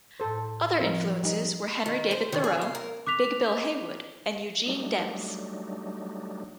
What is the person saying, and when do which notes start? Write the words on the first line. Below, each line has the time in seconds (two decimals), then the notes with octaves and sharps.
Other influences were Henry David Thoreau, Big Bill Haywood and Eugene Debs.
0.20 A2 A4 C5
0.80 F3 C4 D#4 A#4
1.23 G3 D#4
1.86 D#3
2.11 C5
2.32 D#3
2.44 G#4
2.61 F5
2.75 A#4
3.07 D6 F#6 B6 F7
4.66 F#3 G3 A3 D4 D#4